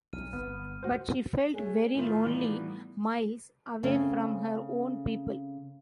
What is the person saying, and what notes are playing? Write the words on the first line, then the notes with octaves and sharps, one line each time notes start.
But she felt very lonely, miles away from her own people.
B1 F6 D#7
G1 B3 F6
F#4 C5
G#3 A3 C#5 G#5
A2 D#3 A3 D#4 F4
E3 G3 B3
C#3 A3 C4 C#4